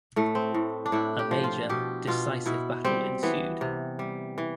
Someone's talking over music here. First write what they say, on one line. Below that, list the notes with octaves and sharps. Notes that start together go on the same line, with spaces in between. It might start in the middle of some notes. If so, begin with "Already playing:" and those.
A major, decisive battle ensued.
A2 A3
C4
A2
D4
A2 E4
G4
F3
F4
B2 G4
B2 F4
B2 E4
G3 C4
E3 B3
C3
G3
E3